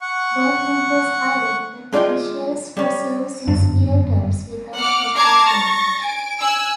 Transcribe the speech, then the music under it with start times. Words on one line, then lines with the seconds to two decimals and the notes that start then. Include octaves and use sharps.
Board members are elected officials who serve six-year terms without compensation.
0.01 F#5 C#6
1.93 G#3 D4 F4 D#5 G5
2.77 G3 C#4
3.47 G1 F#2 D4
4.77 F#5 D6 F6
5.15 A5 A#5 D6 F6 G#6 C7
5.47 C#6 A6 A#6
6.01 G#5 D7
6.40 G#5 E6 F#6